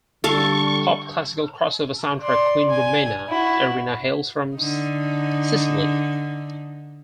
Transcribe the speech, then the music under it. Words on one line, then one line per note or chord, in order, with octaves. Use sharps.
Pop Classical Crossover soundtrack queen Romina Arena hails from Sicily.
D3 G3 A4 F5 C#6
D5 C6
G#5
E4 F#4
D3 D#4